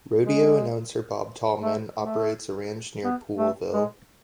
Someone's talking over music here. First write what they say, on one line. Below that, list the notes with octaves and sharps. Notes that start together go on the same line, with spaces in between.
Rodeo announcer Bob Tallman operates a ranch near Poolville.
G#3
A3
A3
B3
A3
G#3